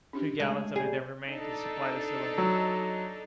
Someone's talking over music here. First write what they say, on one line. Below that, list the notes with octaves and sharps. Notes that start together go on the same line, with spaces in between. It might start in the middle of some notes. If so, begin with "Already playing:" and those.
Two gallons only then remained to supply the cylinder.
C#4 D4 G4
G#3 A3
F#2 G3 G#4
D4 D#4 A4
F#3